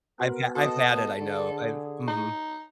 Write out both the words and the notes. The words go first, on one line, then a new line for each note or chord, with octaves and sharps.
I've had I've had it, I know. I mhm.
B3 F#4 A#4 C5
F#4 A4 D#5 A5 D#6
D3 G#4
D#4